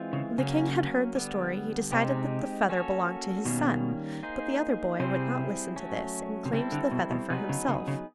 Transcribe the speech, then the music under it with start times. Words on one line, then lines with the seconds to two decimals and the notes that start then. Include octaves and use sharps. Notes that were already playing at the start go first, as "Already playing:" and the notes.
When the king had heard the story, he decided that the feather belonged to his son; but the other boy would not listen to this and claimed the feather for himself.
Already playing: E3 G#3 C4 F4
0.13 C#3
0.38 C#3 F#3 A#3 C#4
1.15 D3 G3 B3
1.92 C3 G#3 C4 D#4 G4
2.69 A#3 C#4 F#4 A4 C#5
3.45 B2 D#3 G3 A#3 C#4
4.23 A#3 D#4 G#4 C5
5.00 C3 G3 C4 E4 G#4 C5
5.76 F#3 A3 C#4
6.46 C3
6.53 C#3 G3 C4 E4 A4
6.72 D3
6.92 B2
7.11 B2
7.30 C3 F#3 B3 D#4 G#4 B4
7.49 C#3
7.68 C#3
7.88 C#3